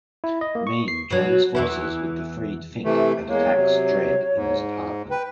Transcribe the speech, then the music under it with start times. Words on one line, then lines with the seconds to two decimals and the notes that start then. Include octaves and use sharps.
Mean joins forces with the freed Fink and attacks Dredd in his apartment.
0.24 E4
0.41 D#5
0.55 A#3
0.67 C#6
0.88 C7
1.10 B2 F#3
1.55 E2 E3 E4
2.84 C3 E3 A3
3.29 E2 G#3 A#3 C#5
3.54 C3 F#3
4.34 G#2
5.11 B4 G5